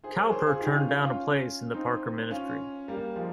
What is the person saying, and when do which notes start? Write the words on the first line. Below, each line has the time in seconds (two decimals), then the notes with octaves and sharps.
Cowper turned down a place in the Parker ministry.
0.04 G#4 C5
0.18 A#4 C#5
0.32 G#4 C5
0.46 F4 G#4
0.60 D#4 G4
0.75 C#4 F4
0.89 C#4 F4
1.03 C#4 F4
1.74 C4 D#4
2.31 C#4 F4
2.88 G3 A#3
3.16 F3 G#3